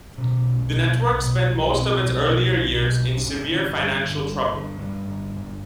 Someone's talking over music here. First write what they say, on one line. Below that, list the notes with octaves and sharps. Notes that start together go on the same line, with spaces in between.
The network spent most of its earlier years in severe financial trouble.
B2 C#4
B1
B2
B1
B2
B1
B2 C4
B1
B2
B1
B2
B1
D4
G1 C#4
D3
G2
G1
G1
D3
G2 D4
G1
G1